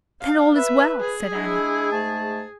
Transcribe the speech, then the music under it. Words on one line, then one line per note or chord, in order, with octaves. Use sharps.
"Then, all is well," said Annie.
F5
B4 E5
G#4
G#3 D4 E4
G#2 A3 A5